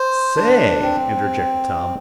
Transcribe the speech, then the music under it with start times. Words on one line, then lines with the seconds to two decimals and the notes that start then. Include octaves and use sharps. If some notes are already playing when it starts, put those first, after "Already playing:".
"Say," interjected Tom.
Already playing: C5
0.36 D4
0.83 C4